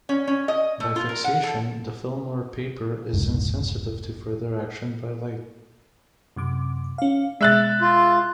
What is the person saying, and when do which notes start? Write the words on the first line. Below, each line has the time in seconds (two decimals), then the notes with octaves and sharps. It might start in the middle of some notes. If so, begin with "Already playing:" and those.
By fixation, the film or paper is insensitive to further action by light.
0.09 C#4
0.27 C#4
0.48 D#5
0.80 A3
0.96 F4
1.09 A#4
1.24 F#5
1.43 A4
3.13 F1 C#2 G#2
6.36 F#2 C3 D6
6.98 C#4 F5
7.41 B2 G#3 E5 F#6 A6
7.81 F4